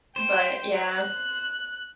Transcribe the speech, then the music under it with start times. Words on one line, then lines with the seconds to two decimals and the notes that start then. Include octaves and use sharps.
But yeah.
0.16 C5 G5
0.83 F#6